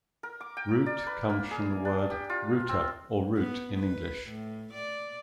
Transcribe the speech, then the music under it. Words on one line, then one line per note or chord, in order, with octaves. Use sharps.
Rute comes from the word "Ruta" or "Route" in English.
A#4
D6
G5
D5
B4
A#3
G#4
D4
G4
F4
C4
B3
B4
A2
D5